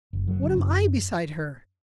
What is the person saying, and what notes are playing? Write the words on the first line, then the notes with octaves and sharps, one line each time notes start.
What am I beside her?
F#1
F#3
C#3
F#2